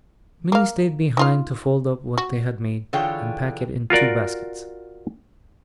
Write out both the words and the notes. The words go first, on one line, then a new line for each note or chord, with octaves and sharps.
Minnie stayed behind to fold up what they had made, and pack it in two baskets.
A#3 F5
D#4 F4 F5
F#4
D3 E3 F4 G#4 C#5 G5
F4 F#4 A#4 D5